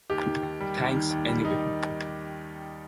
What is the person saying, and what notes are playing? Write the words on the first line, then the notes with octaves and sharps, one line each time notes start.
Thanks anyway.
D#2 G4
D#3
D#2
G3
D#2
D#3
D#2
G3
D#4